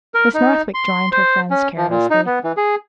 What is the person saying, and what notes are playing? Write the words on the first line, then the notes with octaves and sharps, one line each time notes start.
Miss Northwick joined her friends carelessly.
A#4
D#4
C6
C5
C#4
F3
A#2
D#4
B3
E3
G#4